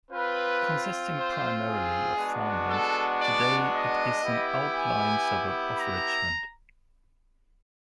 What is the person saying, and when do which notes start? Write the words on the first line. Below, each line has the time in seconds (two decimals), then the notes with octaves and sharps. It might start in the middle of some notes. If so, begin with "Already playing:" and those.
Consisting primarily of farmland, today it is an outlying suburb of Richmond.
0.11 C4 F4 B4
1.15 C5
1.66 G#4
2.17 G#3 B3 D4 F#4
2.68 A4
3.20 D5
3.71 D#5
4.23 B3 E4 G4
4.74 G#5
5.76 A#5